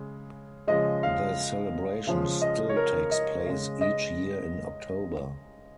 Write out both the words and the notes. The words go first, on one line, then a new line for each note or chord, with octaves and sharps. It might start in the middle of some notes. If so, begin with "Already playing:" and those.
The celebration still takes place each year in October.
Already playing: C#3 G#3
C#3 F3 G#3 D#5
F5
C#3 F3 G#3
D#5
C#5
A#4
D#5
C#3 G#3
D#5